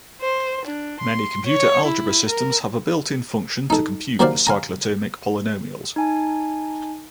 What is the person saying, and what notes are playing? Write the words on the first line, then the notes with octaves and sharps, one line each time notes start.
Many computer algebra systems have a built in function to compute the cyclotomic polynomials.
C5
D4
C6
C#5
E4
A#4
D#4 A4
F#3 A#3 G4 C5 D5 F5
F5 G#5 A#5
D#4 G#5 A5